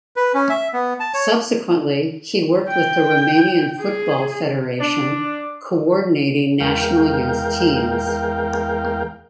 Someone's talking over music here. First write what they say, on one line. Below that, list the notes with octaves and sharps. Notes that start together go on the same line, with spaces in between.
Subsequently he worked with the Romanian Football Federation, coordinating national youth teams.
B4
C#4
E5
B3
A5
C#5
G5
G#4
D4
E2 G#3 A#4 F5 G5